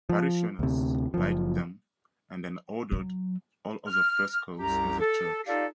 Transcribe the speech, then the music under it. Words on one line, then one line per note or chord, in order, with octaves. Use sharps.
Parishioners liked them and then ordered all other frescoes in the church.
F3
D2 C3
F#1 F3
F#3
F6
C2 F#2 G4 A#5
A4
D#4 F4 G4 A4 D5 F5